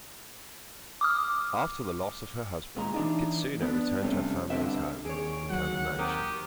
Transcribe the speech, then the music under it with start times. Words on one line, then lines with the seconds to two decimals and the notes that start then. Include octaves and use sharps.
After the loss of her husband, Kitsuno returned to her family's home, Ikoma mansion.
1.01 D6 D#6 F6
2.77 A#2 G#3 A#5
2.94 E3 D4 D#4
3.62 B3 D4
4.01 G2 C3 A3 C#4
4.50 G2 D3 G#3 C4 B4 E5
5.05 D#2 G#4 C#5 D7
5.50 F#3 F#5
5.98 D#3 C4 G4 A#4 D#6